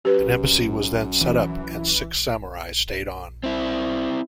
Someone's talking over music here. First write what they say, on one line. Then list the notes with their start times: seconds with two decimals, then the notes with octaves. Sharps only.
An embassy was then set up and six samurai stayed on.
0.05 F#2 G4 B4
1.21 E3
3.44 C4 E4